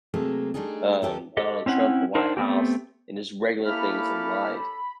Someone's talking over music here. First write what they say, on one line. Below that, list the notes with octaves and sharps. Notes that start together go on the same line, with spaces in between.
um, Donald Trump in the White House and his regular things in life,
C3 F#3 A3 A#3 G#4 A4
G3 A3 A#3 D4 D#4 G#4
D#2 B3 G4 A4 A#4
G4 A4 D#5
C4 C#4 E4 F#5
D4 D#4 A#4 C5
A3 B3 C4 G4
A#3 C#4 E4 G4 A4 B5 F6